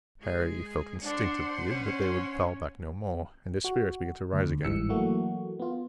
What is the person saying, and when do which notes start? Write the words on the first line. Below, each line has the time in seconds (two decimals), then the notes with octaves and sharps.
Harry felt instinctively that they would fall back no more, and his spirits began to rise again.
0.20 G#3 G#4
1.02 D4 C5 F#5
1.71 C#4
3.64 F#4
4.33 D2
4.64 G1 G#2 E3 G3 E6 C#7
4.89 E3 F#3 A3 A#3 F#4
5.60 B3 F4